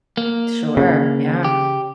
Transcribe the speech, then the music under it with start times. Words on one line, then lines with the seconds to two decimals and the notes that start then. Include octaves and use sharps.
Sure, yeah.
0.17 A#3
0.77 C#3
1.45 G4